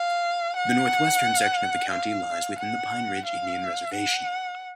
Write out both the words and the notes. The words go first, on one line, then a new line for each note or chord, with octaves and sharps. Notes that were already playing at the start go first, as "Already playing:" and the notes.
The northwestern section of the county lies within the Pine Ridge Indian Reservation.
Already playing: F5
F#5
F5
F#5
F5
F#5